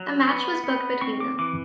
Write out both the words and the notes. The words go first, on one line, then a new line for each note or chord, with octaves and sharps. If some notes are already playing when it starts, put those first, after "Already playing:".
A match was booked between them.
Already playing: F#3
B3
B3
C4 C#6
D6
E3 D6